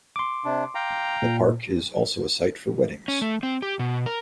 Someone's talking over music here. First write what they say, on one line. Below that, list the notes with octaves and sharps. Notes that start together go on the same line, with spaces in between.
The park is also a site for weddings.
C6 D6
C3 D4
F5 G5 A#5
A#2
C#4
A3
C4
G4
B2
A#4